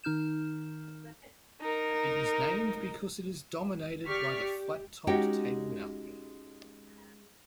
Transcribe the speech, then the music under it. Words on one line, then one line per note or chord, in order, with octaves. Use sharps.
It was named because it is dominated by the flat-topped Table Mountain.
D#3 D#4 F6 G6 E7
D#4 A#4
G4 D5 C#6 F6 B6
G4
G#3 C#4 D#4 F#4 G4